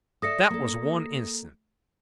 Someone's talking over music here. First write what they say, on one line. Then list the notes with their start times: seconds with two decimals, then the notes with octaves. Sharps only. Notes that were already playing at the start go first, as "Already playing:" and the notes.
That was one instance.
0.22 A4 D5 E5 D#6 A#6 C#7
0.50 A#3 A4